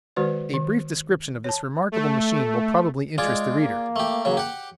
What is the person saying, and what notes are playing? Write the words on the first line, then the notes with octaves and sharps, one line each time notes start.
A brief description of this remarkable machine will probably interest the reader.
D#3 G#3 F#4 B4 C5 D5
D#3
C#5 A5
A3
G#3 F4 G#4 D5
A#3
A3 G4
C#3 F#3
G4 F#5